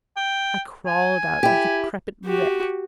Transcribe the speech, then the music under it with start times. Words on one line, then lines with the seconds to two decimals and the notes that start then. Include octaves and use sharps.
I crawled out a decrepit wreck.
0.17 G5
0.87 G#5
1.43 E4 G4
2.25 F#4 G4